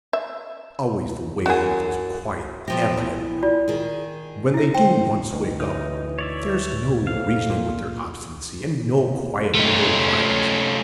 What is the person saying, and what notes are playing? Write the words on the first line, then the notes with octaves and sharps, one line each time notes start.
It's always the way with those quiet addle-headed men: when they do once wake up, there's no reasoning with their obstinacy, and no quieting their violence.
E5
F#2 F#4 G#4
B2 F3 G4 E5
E3 D#6
F4 D5
D#3 G#4
E4 E5
C5 G5
D2 B2
E3 D#4
C#5 D5 E5
F2 F5
A#2
A3 C#4 D#4 F4